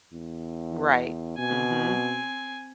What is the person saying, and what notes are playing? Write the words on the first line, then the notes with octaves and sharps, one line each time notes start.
Right. Mhm.
E2
B2 C4 G#5